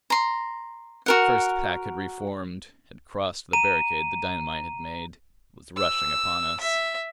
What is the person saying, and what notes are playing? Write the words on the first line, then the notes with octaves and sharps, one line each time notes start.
The first pack had re-formed; had crossed the barricade the dynamite had made; was rushing upon us.
A#5 C6
F#4 A#4 F#5
A#5 D#7
E6
E5